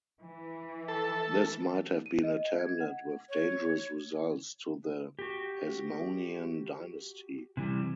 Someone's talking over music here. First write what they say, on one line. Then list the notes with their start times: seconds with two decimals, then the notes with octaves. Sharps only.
This might have been attended with dangerous results to the Hasmonean dynasty.
0.21 E3
0.88 A4
2.06 D#7
2.23 D#5
2.59 G#6
2.80 F#5
3.29 C#5
5.19 F#4 G4
7.57 C3 E3 G3